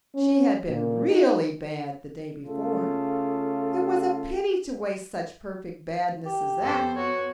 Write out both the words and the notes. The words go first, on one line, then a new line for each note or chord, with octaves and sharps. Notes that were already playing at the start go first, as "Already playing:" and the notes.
She had been really bad the day before; it was a pity to waste such perfect badness as that.
C#4
A#2
D#4
C#3 A3 F4 A4
G4
F2 B3 A4 C5
F#4 C#5